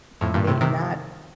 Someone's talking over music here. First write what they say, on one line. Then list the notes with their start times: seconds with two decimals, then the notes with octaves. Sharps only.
ma not
0.21 F2 A2
0.34 G2 A#2
0.47 A2 C3
0.61 C3 D#3